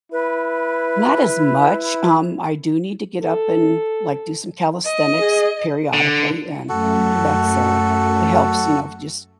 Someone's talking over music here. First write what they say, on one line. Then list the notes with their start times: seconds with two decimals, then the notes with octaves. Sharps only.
Not as much, um, I do need to get up and, like, do some calisthenics periodically, and that's, uh it helps, you know, just,
0.12 E4 B4
3.23 A4
4.85 D#5
5.19 G#4
5.93 D3
6.69 F#2 A3 F#4 A4